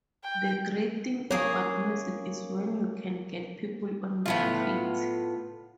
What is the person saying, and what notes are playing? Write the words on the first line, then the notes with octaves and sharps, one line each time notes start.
The great thing about music is when you can get people on their feet.
G5
A#3 G#4 C#5
A2 B3 F4